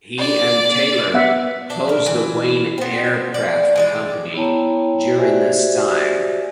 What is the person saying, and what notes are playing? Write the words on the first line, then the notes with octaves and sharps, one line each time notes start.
He and Taylor closed the Wayne Aircraft Company during this time.
D5
B3 E5 F#5
D4
A#4
E3
B3 C4
D5
E3 G#3 D5
B3 E4 C#5 G5 A5 A#5
F#4 G4 C5 D5 E5 G#5